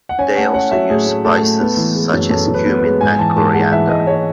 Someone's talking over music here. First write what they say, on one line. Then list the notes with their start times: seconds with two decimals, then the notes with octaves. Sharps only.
They also used spices such as cumin and coriander.
0.09 F#5
0.19 C#4 G#5
0.37 A3 F#5
0.54 C#4 F#5
0.71 F#3 E5
0.90 A2 G#4
1.07 A3
1.24 A2 A4
1.42 A3
1.61 B3
1.77 E3
1.95 G#3
2.13 F#2
2.30 F#2 A4
2.48 F#2
2.54 B4
2.66 B3
2.77 B4
2.84 G#3
3.01 G#2 G#5
3.19 E3 A5
3.37 G#2 A5
3.54 G#3 F#5
3.71 E3 E5
3.89 G#2 D#5
4.07 G#3 C#5